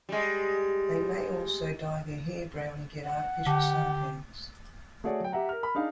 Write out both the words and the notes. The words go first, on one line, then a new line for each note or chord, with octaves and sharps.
They may also dye their hair brown and get artificial suntans.
G3 G#3
F#5
D3 G4
A3 F#4 G#4 C#5 D5
F#3 G5
G4 E5 F#5 A#5
A#4 F6
B5
D4 D#4 G#4 F5